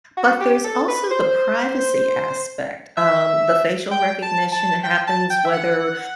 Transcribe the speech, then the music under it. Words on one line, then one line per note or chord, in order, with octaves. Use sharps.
but there's also the privacy aspect. Um, the facial recognition happens whether
F#4
G4
A4
B4
C5
E5
G5
A5
A5
G5
A5
G5
E5
F#5